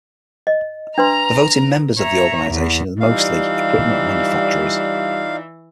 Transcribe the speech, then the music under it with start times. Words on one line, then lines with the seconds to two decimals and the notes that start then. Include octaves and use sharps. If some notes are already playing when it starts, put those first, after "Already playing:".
The voting members of the organization are mostly equipment manufacturers.
0.47 D#5
0.98 D4 B4 A#5 C6 F6
2.00 C#5 E5 A#5
2.50 E2
3.00 E3 G3 D#4 F4 D5 F5